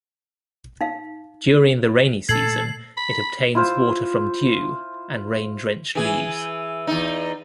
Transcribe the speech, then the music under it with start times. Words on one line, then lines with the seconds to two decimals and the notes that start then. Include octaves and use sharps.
During the rainy season it obtains water from dew and rain drenched leaves.
0.81 D#4 F5
2.29 A#2 A3 A4 G#6 C7 F#7
2.97 B5
3.55 E4 F4 C5
5.95 E3 G#4
6.87 E2 D#4